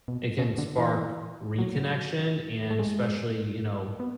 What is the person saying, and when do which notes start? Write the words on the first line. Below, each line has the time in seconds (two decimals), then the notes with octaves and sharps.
it can spark reconnection and especially, you know,
0.08 B2
0.39 C#3
0.58 D3
0.78 E3
1.58 F#3
2.70 A3
2.79 G#3
4.00 B3